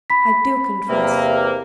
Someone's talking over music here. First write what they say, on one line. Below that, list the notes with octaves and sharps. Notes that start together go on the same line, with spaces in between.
I do confess.
B5 B6
E2 C3 A#3